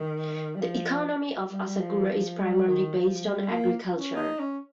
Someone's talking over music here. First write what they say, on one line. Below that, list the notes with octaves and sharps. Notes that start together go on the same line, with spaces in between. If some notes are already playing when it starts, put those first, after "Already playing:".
The economy of Asakura is primarily based on agriculture.
Already playing: D#3
G3
F3
G3
F3
F3
G3
D#3
F3
G3
A#3
C#4
D#4
C#4